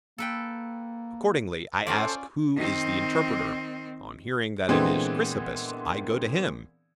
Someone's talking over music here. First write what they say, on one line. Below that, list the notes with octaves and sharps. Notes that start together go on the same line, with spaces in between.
Accordingly I ask who is the Interpreter. On hearing that it is Chrysippus, I go to him.
A#3 A4 B4 G5
C#4 F4 A4 C5 D5
D#3 C4
A#2 D3 E3 G#3 B3 C4